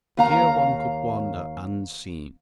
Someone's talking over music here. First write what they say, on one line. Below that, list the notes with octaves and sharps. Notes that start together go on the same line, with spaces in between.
Here one could wander unseen.
D#2 F5 A#5